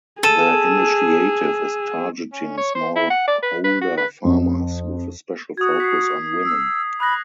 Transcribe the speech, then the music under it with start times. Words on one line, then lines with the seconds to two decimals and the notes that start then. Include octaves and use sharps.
The initiative is targeting small holder farmers, with a special focus on women.
0.23 G#4 A4 E6 D#7 E7
2.33 C#4
2.58 C#5
2.75 C5
2.96 E4
3.11 F#5
3.28 D5
3.43 B4
3.64 B4
3.82 F#4
3.97 B4
4.25 F2
5.57 F#4 D#6 G#6
5.80 B6 C7
6.45 E6
7.00 B5 D#6 F#6 A#6